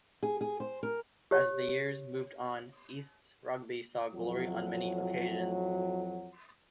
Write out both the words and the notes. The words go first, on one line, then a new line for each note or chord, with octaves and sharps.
As the years moved on, Easts Rugby saw glory on many occasions.
G#4
G#4
C5
A#4
G4 C#5
F2 A2 F#3